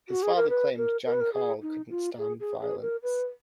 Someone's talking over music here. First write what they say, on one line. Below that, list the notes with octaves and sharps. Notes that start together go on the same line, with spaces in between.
His father claimed Jan-Carl couldn't stand violence.
F#4
G#4
A#4
B4
A#4
A#4
B4
A#4
G#4
D#4
F4
G#4
G#4
G#4
A#4
B4